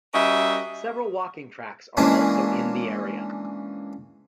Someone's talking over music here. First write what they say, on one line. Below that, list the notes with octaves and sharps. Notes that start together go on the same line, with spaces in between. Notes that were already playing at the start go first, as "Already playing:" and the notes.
Several walking tracks are also in the area.
G3 C#4 F#4 A#4 D#5 E5
E3 G#3 A#3 C#4 D4 E4